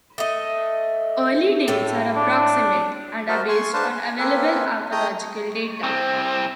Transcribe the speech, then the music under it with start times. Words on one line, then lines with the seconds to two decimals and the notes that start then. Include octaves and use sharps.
Early dates are approximate, and are based on available archaeological data.
0.18 A3 D#5
1.68 A2 A4 C#5
2.16 D4
3.29 F#4 A#4 C5 D#5
3.48 G#5 C6 C#6
3.74 D4 B4 C5 F5 A5 C6
3.96 G#5
4.19 A#3 C4 F4 A4 B4 G#5
4.92 A3 D#5 G5 A#5 D#6
5.83 C2 C4